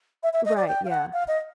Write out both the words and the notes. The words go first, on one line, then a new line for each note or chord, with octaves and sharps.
Right. Yeah.
E5
E5
D#5
D5
G5
F5
F#5
F5
D#5